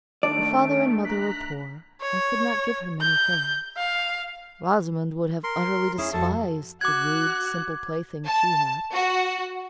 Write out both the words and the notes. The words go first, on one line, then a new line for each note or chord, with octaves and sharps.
Her father and mother were poor, and could not give her many things. Rosamond would have utterly despised the rude, simple playthings she had.
D#3 A3 D4 D5 D7
A#5 F#6 B6
C#5
G6
F5
A#4 C6
C#4 E4 G#4
F2 F#4 A4 A5
F#4 D6 F#6 G#6
A5
F#4